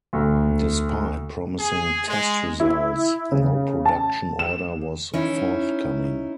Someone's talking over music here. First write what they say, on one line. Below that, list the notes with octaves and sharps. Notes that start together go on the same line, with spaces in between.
Despite promising test results no production order was forthcoming.
D2
G#4
G#3
E4
C#3
A5
E7
C#4 D#4 E4